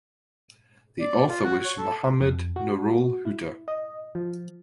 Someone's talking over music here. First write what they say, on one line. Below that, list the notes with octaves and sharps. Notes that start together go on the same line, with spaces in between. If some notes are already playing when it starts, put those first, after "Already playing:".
The author was Mohammad Nurul Huda.
D5
F4
F#4
C#5
A4
F2
F#4
E4
D#5
F3